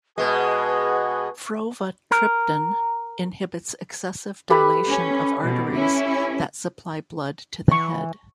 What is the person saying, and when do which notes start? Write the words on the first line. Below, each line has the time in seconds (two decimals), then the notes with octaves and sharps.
Frovatriptan inhibits excessive dilation of arteries that supply blood to the head.
0.18 B2 G#3 B3 F#4 G#4 B4
2.11 A#4
4.50 G4 A4 B4
4.88 C#4
5.43 B2
5.74 C#4 E4
7.72 E3 C#6